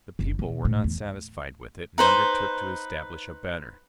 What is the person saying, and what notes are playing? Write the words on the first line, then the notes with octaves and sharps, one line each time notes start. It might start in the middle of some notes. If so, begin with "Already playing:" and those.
The people were not satisfied with it, and undertook to establish a better.
F#1
B2
A2
E2
D#4 B4 C5